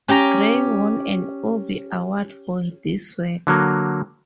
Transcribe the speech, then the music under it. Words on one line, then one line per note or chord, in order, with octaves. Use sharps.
Gray won an Obie award for this work.
C#4 G4 G5 A#5
D3 F#3 A#3